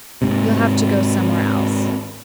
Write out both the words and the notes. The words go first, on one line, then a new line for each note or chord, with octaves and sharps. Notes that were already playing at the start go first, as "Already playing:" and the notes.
"You'll have to go somewhere else."
G#2 C3